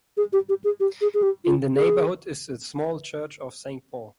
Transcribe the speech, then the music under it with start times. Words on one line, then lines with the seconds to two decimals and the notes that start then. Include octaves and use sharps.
In the neighbourhood is the small church of Saint Paul.
0.17 G#4
0.33 G4
0.49 G4
0.64 G#4
0.80 G4
1.01 G#4
1.14 G#4
1.23 G4
1.45 F4
1.76 G#4